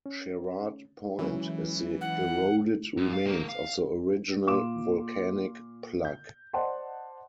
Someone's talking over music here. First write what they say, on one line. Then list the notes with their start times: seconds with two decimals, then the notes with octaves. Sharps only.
Sherrard Point is the eroded remains of the original volcanic plug.
0.06 C#4
1.19 E3 F#3 G#3 C#4
2.01 F#5
2.97 F#2
3.13 F5
3.27 A3 A#4
3.49 F5
4.46 A#2 F4 C6 D6 E7
6.05 G6
6.53 C5 D5 D#5 F#5 A5 C6